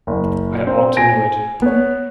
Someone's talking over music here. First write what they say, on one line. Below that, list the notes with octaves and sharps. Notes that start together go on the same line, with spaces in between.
I ought to know it.
F#1
C4
G#5 A#6 D7
B3 C#5